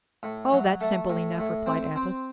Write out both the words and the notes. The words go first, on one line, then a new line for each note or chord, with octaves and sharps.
"Oh, that's simple enough!" replied Athos.
A2
F#3
A3
A2
A2
C4
C4